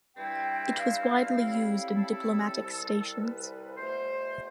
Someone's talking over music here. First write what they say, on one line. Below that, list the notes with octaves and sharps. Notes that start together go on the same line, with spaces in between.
It was widely used in diplomatic stations.
G2 E3 G3 C4 E4 G5
F5
A2 G3 C4 E4
A4
C2 C3 G3
B4
E2 B2 A3 C5